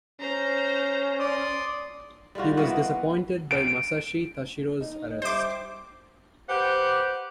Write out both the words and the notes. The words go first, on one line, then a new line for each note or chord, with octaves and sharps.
He was disappointed by Masashi Tashiro's arrest.
C#4 C5 A#5
D5 C6 D#6
G3 G#3 F4 F#4
E3 A#3 B3 F#4
D7
D#4
G3 C5 E5 D6
G4 B4 C5 F#5